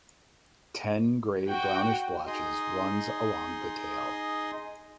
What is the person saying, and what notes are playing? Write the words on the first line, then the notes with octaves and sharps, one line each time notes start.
Ten grey brownish blotches runs along the tail.
F#4 G5
D#4 G#4 D#5 C6